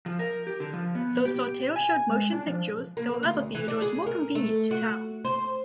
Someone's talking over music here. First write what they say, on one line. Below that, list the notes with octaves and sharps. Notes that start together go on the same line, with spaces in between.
Though Saltair showed motion pictures, there were other theaters more convenient to town.
F3
A#4
G4
D3
F3
B3
G4
G#5
G#3
D4
F3
A#3
D2
E3
D4
G#4
A#4
A3
F#4
C5